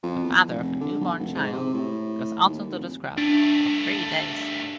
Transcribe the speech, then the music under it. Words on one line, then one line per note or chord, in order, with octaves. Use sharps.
The father of a newborn child goes out into the scrub for three days.
F2
E2
F1
D3
B1
F1
G#2
C3
A2
D#2
F1
G2 A3 D4